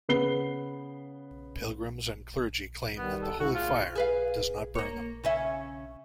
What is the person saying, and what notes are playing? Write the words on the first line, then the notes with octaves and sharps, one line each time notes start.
Pilgrims and clergy claim that the Holy Fire does not burn them.
C#3 B3 C7 G7
D#3 G3 B3
A4
G#2 E4 F#4
D2 A#2 F4 G#4
G#4 B4 F5
A#3 C#5
C#3 C#4 E5